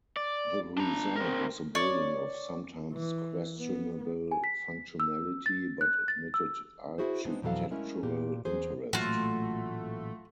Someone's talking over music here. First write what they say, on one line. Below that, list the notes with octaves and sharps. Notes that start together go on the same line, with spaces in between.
The result was a building of sometimes questionable functionality, but admitted architectural interest.
D5
D4 A#5
C4 A#4
C#5 D5
E3
B3
G#5
B6
E6
A6
F#6
A6
E6
E4 F#4 G#4 C5
G#3 B3 C4 D4 D#4
F2 B2 E3 F#3 A4 F5
G#3 A3 C#4 E4 A#4
A#2 G4
E2 G#4 C5
A1 A#2 F#3 A3 F4 F#4